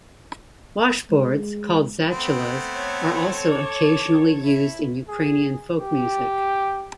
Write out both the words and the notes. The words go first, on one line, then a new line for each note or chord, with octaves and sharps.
Washboards, called "zatulas", are also occasionally used in Ukrainian folk music.
G#3
A3 B3 C4
A4 C#5
D6
E4
G#4
G4